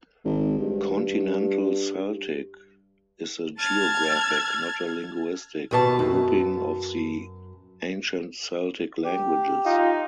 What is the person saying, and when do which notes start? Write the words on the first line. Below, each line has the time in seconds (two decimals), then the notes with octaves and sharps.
"Continental Celtic" is a geographic, not a linguistic, grouping of the ancient Celtic languages.
0.25 G#1
0.59 G2
3.59 A5 F6 G#6 A6
5.71 D#2 B2 A5
5.99 F#2
9.04 G4
9.65 D#4 F4